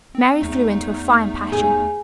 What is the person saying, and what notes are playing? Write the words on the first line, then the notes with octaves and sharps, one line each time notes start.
Mary flew into a fine passion.
C4
E2 A3 D#4
G#4